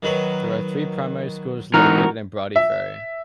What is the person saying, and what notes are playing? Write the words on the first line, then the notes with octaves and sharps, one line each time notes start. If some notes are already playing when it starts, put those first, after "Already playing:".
There are three primary schools located in Broughty Ferry.
D#3 F#3 B4
G#2 E3 D#4 F#4 A#4 F6 F#6
E5